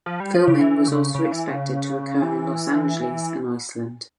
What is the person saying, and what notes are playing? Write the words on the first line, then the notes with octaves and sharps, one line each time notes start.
Filming was also expected to occur in Los Angeles and Iceland.
F3
G3
F3
C#3
E3
C#3
C#3
E3
C#3
E3